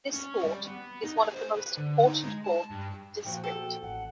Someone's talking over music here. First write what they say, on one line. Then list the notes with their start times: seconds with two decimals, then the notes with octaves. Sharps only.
This fort is one of the important forts in the district.
0.13 C#4
0.44 G3
0.67 B3
1.03 D#4
1.17 G#4
1.34 C5
1.57 B4
1.77 D3
2.06 D#4
2.24 G#3
2.44 A5
2.70 G2
3.25 A#2 F3 F#4 G5
3.44 A4 G5
3.82 A1 F#5